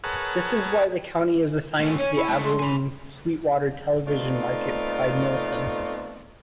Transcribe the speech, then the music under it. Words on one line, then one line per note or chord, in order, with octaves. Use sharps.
This is why the county is assigned to the Abilene-Sweetwater television market by Nielsen.
G#4 A#4 B4 C#5 F#5 A5
A3 C#4
C#4 C#5
E4
G#3 A3
C6
G#5 B5
A3 B3 C4 D#4 F4 D5